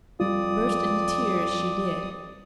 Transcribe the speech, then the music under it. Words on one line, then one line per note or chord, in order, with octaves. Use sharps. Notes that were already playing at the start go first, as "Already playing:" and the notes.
Burst into tears she did.
F2 G3 F4 D5 D#6